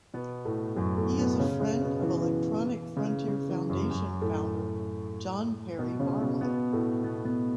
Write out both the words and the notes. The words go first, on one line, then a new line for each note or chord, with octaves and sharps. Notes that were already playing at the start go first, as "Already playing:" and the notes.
He is a friend of Electronic Frontier Foundation founder John Perry Barlow.
B2 B3
A2 A3
F#2 F#3
A2 A3
B2 B3
C#3 C#4
C#3 C#4
B2 B3
E3
E3
E3
C#3
C#3
E3
F#2 F#3
F#2 F#3
A2 A3
B2 B3
C#3 C#4
B2 B3
B2 B3
A2 A3
B2 B3
B2 B3